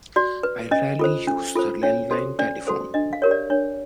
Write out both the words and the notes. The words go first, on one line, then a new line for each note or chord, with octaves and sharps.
I rarely use the landline telephone.
F#4 D5
B4
C#4 D#5
F4 A4 C5
C#4
F4 A4 C5
C#4 C#5
F#4 A4 C5
C#4 D5
F#4 A4 C5
D4 D#5
F5
G4 A#4 C#5
D5
D4 C#5